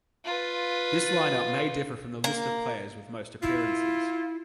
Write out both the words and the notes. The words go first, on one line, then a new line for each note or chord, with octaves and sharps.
This line-up may differ from the list of players with most appearances.
F4 B4
A#3
E4 F4